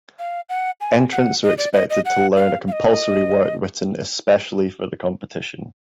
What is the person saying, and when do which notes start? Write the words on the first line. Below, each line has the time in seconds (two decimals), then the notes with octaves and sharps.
Entrants are expected to learn a compulsory work written especially for the competition.
0.19 F5
0.49 F#5
0.81 G#5
1.13 F#5
1.43 D#5
1.58 D5
1.73 D#5
1.90 D#5
2.05 F#5
2.36 F5
2.68 F5
2.72 D#5